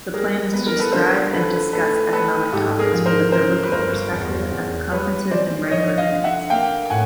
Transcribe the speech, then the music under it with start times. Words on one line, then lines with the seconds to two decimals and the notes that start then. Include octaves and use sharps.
The plan is to describe and discuss economic topics from a biblical perspective at the conferences and regular meetings.
0.14 G3 G#4 A#4
0.53 B3 B4
0.67 A#4
0.79 A4 B4
0.93 D3 A#4 C5
1.33 D3 A4 B4
1.73 A3 A4 B4
2.12 A3 A4 B4
2.53 G#2 G4 A4
2.79 G#4 A#4
2.92 F3
3.06 A#4 C5
3.32 C#3 A#4 C5
3.64 B4
3.72 G1 A#4 C5
4.12 E2
4.51 E2
4.91 G3 B4 C#5
5.31 E3 C5 D5
5.71 F3 C#5 D#5
5.98 D#5 F5
6.11 D3
6.24 E5 F#5
6.50 A#3 F5 G5
6.90 A2 F#5 G#5